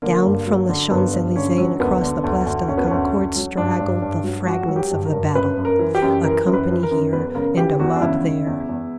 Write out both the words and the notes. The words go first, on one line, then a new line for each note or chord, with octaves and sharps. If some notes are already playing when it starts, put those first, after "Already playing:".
Down from the Champs Elysees and across the Place de la Concorde straggled the fragments of the battle, a company here, and a mob there.
D3 A#3
G2
F#3
D3
G2 B3
G2
D3 C#4
F#3
D2 B3
D3
D2
D2
D2 C#4
B3
D2 C#4
D2
F#3
G2 D4
G2
G2
F#3
F#3 F#4
F#3
G4
G2
A#4
G2
F#2 B4
F#2
A#4
E3
G4
F#2
E3 A#4
F#2
B4
E3
A#4
F#2
E2 B4
C#3 A#4
E3 G4
E2 F#4
D4
C#3 E4
C#3
E2
E2